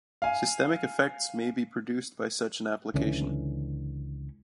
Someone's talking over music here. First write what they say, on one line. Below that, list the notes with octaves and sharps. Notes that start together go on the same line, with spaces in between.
Systemic effects may be produced by such an application.
F5 G#5
C#2 D3 E3 C#4